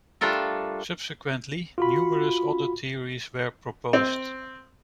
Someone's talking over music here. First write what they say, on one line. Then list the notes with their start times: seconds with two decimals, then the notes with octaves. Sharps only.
Subsequently, numerous other theories were proposed.
0.21 G3 A3 D4 F4 A4 A#4
1.78 F4 F#4 B5
3.93 C4